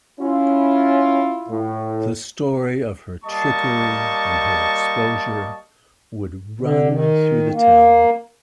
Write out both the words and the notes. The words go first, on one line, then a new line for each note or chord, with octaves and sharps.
The story of her trickery and her exposure would run through the town.
C#4 E4 F4
A2
G3 A#3 D#5 A5 C#6
D3
D#3
A#3